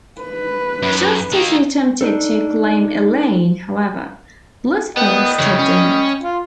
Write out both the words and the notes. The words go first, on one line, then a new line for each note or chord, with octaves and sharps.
Just as he attempted to claim Elaine, however, Lucifer stepped in.
B4
F#2
D#3 A#3
D4 D#4 A4
B3 D#5 G5 B5
E2 C#3
C#4
F4